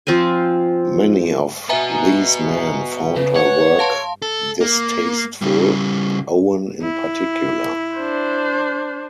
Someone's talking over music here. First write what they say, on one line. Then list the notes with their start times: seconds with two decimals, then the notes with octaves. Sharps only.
Many of these men found her work distasteful, Owen in particular.
0.07 F3 C4 F5 G#5
1.69 B3 F#4 E5 G#5 A#5
3.16 C#3 B4
3.36 C#5 F#5
3.79 F5 A5 C6
4.22 A4
4.61 A#3
5.42 C#3 G3
6.81 E4
7.94 D4 C5